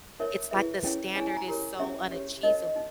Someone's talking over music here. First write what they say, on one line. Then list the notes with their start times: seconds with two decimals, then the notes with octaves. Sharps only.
it's, like, the standard is so unachees
0.19 D#4 A#4 C#5 E5
0.51 E4 G#4 B4 E5
0.83 C#4 E4 G#4 C#5 G5
1.15 E4 G#4 C#5 G#5
1.27 G#5
1.37 A#5
1.47 G4 A#4 C#5 A#5
1.79 C#4 G#4 C#5 E5
2.11 G4 C#5
2.43 D#4 A#4 C#5 D#5
2.76 D#4